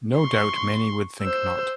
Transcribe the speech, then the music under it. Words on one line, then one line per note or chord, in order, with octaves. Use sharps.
No doubt many would think not.
C6 C#6
C5 E6